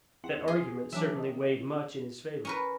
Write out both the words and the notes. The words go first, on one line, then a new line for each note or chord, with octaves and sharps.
That argument certainly weighed much in his favor.
E2 C4 F#5
G#4 C6
E3 F#3 D4 E5
C3 D#3
C#4 A#4 B4